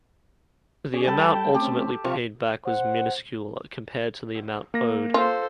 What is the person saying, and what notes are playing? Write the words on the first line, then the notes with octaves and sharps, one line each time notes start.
The amount ultimately paid back was minuscule compared to the amount owed.
C#4 G#4 D5
G3 A4 G5 A5 B5
A3 C4 C#4 G4
C3 F3 F5 C#6
C5 F#5
A#3 A#6
F4 A4 C5